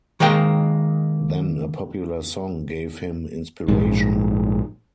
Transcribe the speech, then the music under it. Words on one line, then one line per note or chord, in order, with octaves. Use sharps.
Then a popular song gave him inspiration.
D#3 G#3 A#3 G5
A#1 G#2